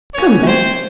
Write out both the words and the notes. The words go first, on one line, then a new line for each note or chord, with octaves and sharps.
Come, Bess.
A#2 F3 C#4 C#5
C4 C5